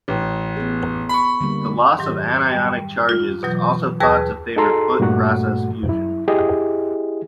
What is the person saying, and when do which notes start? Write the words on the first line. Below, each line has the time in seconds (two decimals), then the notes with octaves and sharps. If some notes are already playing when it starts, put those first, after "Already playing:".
The loss of anionic charges is also thought to favor foot process fusion.
0.08 A1
0.56 B3 G#4
1.09 B5 C#6
1.41 D3 G3 A#3
1.98 G#2 D#3 F#3 G4
2.51 G3
3.09 F4
3.43 B2 E3 F#3 G6
4.00 D#2 G#4 B4 A5 E6 A#6
4.56 D#4 F#4 G#4 A4 A#5 C6
5.00 G2 A#2 A3 F#4 F#5
5.87 F#2 E4
6.28 E4 G4 G#4 D#5